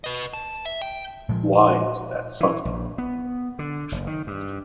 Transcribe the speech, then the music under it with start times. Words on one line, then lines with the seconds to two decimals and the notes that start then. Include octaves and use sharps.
Why is that funny?
0.04 B4 D#5
0.33 A5
0.66 E5
0.82 G5
1.29 A#2 F3 G#3
2.40 E3
2.65 A#1
2.98 B3
3.59 D3
3.92 F#1
4.07 D#3
4.27 G2